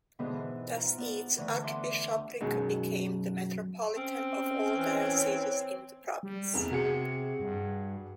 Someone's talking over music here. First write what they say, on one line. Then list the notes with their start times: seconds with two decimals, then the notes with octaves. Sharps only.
Thus its Archbishopric became the Metropolitan of all dioceses in the province.
0.19 G#2 B2 D3 D#3 B3 E4
0.32 E3
0.76 F4 A#5
0.98 B3 D5
1.37 D2 D3 E3
1.63 E5 F#5 C6 D6
2.41 F#2 B2 D#3 F#3 G#3
3.97 C4 C#4
4.75 E3 C#5
6.23 G3
6.53 F1 E2
6.71 C3 F#4 G#4 C#7
7.40 G2